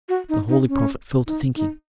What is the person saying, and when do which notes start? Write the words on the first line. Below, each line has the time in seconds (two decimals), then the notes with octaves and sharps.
The holy prophet fell to thinking.
0.09 F#4
0.29 D#4
0.49 D#4
0.68 C#4
1.27 D#4
1.56 D#4